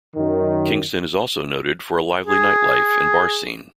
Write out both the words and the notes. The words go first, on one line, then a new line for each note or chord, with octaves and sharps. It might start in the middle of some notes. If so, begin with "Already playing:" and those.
Kingston is also noted for a lively nightlife and bar scene.
F#2 D#3
G#4